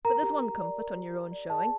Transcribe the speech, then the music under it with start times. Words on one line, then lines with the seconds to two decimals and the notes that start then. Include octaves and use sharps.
But there's one comfort, on your own showing.
0.05 A#4 A#5
0.23 G4
0.41 G4
0.59 D5
0.77 A#4
0.95 G4
1.14 G4
1.31 D5
1.50 G#4 A5